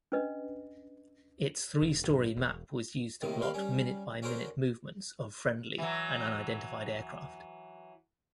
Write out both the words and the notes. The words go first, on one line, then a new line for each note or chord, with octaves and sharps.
Its three-story map was used to plot minute-by-minute movements of friendly and unidentified aircraft.
C#4 D4 B4 D#5
E1
B1 G#2 F#3
E1
D#2 A2 C3 D#3
D#2 G4 F5 B5
G3 C#4
C#4 D4 F#4 A4 A#4 C5
E3 F#3